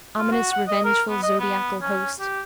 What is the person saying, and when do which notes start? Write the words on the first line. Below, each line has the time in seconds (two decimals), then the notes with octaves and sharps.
Ominous revengeful zodiacal host!
0.18 F4
0.31 F#4
0.52 F#5
0.68 D#5
0.85 A#4
1.09 B3
1.23 D#5
1.39 B3
1.81 C#4
2.19 G4